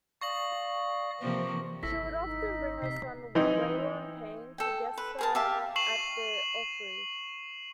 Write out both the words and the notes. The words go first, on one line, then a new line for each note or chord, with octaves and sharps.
She would often bring her son Waylon Payne to guest star at the Opry.
D5 F5 C#6 D#6 A#6 F#7
C3 E3 F3 A#3
G#1 E4 A4 E6 A#6 B6
D#4
C3 D#5 B6 C7
E3 C4 D#4
A4 G5
B4
G#4 A#4 A5
G4 E5 F5
C#6 C7 E7 F#7